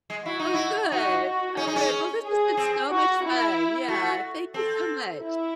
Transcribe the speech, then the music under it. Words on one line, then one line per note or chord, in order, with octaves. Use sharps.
Oh, good. Oh, good. Well, this has been so much fun. Yeah. Thank you so much.
G#3
E4 F#4
D#4
E4
D#4 F#4
F#4
C#4 G#4
D#4
C#4
G#4
C4
F#4
E4
A3 F#4
C4 A4
E4